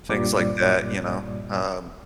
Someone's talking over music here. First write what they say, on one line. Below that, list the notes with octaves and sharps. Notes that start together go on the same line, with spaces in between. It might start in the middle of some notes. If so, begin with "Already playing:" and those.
things like that, you know, um,
C2 G2 A#2 G3 D5 D6